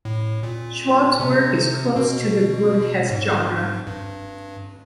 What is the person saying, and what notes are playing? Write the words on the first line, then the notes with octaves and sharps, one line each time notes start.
Schwab's work is close to the grotesque genre.
A2
A#2
C3
B2
G#2
G2